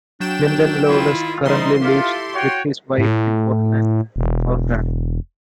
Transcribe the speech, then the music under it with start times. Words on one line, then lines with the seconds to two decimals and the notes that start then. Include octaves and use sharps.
Lyndon Lawless currently lives with his wife in Portland, Oregon.
0.20 F#3 D4 G5 E7
0.88 D#3 E4 F4
1.46 E3 G3 D#4 C5 C6
1.82 E4 F4 G4 A4
2.34 F#4 C#5 G5
2.98 A2
4.16 E1